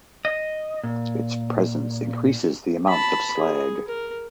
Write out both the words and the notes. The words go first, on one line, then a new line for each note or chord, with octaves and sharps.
Its presence increases the amount of slag.
D#5
A#2
A5 B5
G#4
A#4